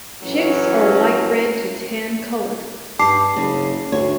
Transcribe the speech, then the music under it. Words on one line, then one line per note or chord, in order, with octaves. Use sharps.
Chicks are a light red to tan color.
A2 E3 F#3 C#4
G2 A5 D6 C7
F#1 C#3
D2 C#5